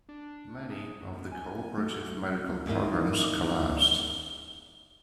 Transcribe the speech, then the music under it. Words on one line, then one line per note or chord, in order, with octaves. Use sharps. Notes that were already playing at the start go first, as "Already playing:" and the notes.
Many of the cooperative medical programs collapsed.
D4
G#4
F#2
G#5
F#3 A3
D#2 G#2 A#3 E4 D#5